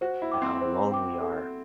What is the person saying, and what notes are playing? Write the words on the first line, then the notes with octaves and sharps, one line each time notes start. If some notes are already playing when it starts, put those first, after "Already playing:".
how alone we are.
F#4 C5
E4
G5 D6
C4
C5
G5 D6
A4